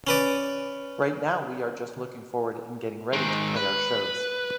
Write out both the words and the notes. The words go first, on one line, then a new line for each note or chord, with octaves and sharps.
Right now we are just looking forward and getting ready to play our shows.
C#4 B4 D5
G#2 D#3
B4